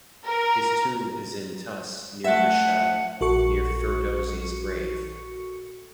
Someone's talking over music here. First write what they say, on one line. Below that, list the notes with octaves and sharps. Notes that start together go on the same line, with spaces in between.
His tomb is in Tus near Mashhad, near Ferdowsi's grave.
A#4
A3 E5 F#5
A#1 F#4 A4 C#6 C#7